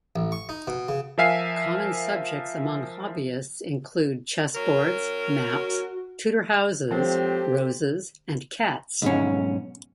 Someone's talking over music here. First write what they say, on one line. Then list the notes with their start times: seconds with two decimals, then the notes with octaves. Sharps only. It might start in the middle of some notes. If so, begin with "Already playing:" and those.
Common subjects among hobbyists include chessboards, maps, Tudor houses, roses and cats.
0.16 A1
0.32 C#6
0.49 D#4
0.67 B2
0.88 C#3
1.18 F3 A#4 E5 F5 G#5 C7
4.55 F#3 C#4 A#4
5.54 F#4
6.91 F3 F#3 G#3 C4 G4 A4 C5
9.02 B1 G#2 C#4